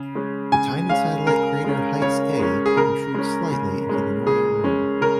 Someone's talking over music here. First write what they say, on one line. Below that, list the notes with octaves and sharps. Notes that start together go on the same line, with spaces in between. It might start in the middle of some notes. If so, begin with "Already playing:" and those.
The tiny satellite crater Heis A intrudes slightly into the northern rim.
Already playing: C#3
G#3 C#4
C#3 G#5
G#3 C#4 F5
C#3 A#4
G#3 C#4
C#3 C#5
G#3 C#4
G#4
C#3 A#4
G#3 C#4
C#3
G#3 C#4
C#3 G#4
G#3 C#4
C#3 A#4